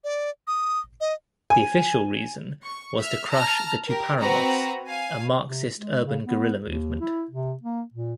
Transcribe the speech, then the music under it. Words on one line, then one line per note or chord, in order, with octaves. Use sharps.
The official reason was to crush the "Tupamaros", a Marxist urban guerrilla movement.
D5
D#6
D#5
G#5
C#6
E5 F6
A5 A#5 F6 A#6
G4 A#4
C4 F#4 B4 A#5
F5 G#5
C3
G#3
C#3
B3
D#2
E4
C3
A#3
A#2